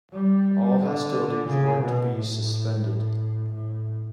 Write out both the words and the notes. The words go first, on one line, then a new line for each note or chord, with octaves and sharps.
All hostilities were to be suspended.
G3
D3
C#3
B2
A2
A2